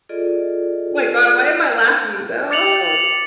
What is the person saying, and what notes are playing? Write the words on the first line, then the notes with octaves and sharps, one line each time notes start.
my god, why am I laughing? No,
F4 G#4 A4 D5 D#5
D6 A6 C#7 F7 F#7